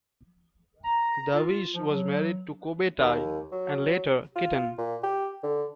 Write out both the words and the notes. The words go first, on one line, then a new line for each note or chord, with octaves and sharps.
Davis was married to Kobe Tai and, later, Kitten.
A#5
F4
F3
F#3
D#2
F#3
F4
A#2
G4
D3